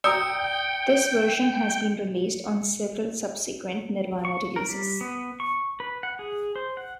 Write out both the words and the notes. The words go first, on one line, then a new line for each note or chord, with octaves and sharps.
This version has been released on several subsequent Nirvana releases.
D5 G5 A#5 D#6 E6 C#7
C#6
A#4
G3
B3
C#6
B4
F#5
G#4
C5
F#5